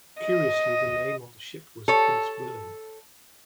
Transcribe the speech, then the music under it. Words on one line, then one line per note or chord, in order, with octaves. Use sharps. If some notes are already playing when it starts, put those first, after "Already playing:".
Curiously, the name on the ship was "Prins Willim".
D#5
A4 C#5